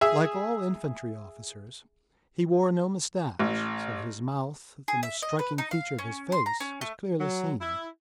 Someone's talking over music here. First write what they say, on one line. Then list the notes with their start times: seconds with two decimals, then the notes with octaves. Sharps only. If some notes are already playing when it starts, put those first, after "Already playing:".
Like all infantry officers he wore no mustache, so that his mouth, the most striking feature of his face, was clearly seen.
0.01 G#4 E5
3.39 A1
4.88 G#4
5.03 E5
5.22 D#5
5.39 B4
5.58 D#4
5.71 F5
5.99 C#4
6.32 C6
6.46 A#5
6.60 C#4
6.81 A3
7.20 F#3
7.61 E4